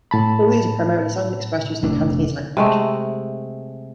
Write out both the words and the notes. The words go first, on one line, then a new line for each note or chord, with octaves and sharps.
All of these are primarily sung and expressed using the Cantonese language.
A2 A5 B5
F1 A3 D4
C3 G#3 A3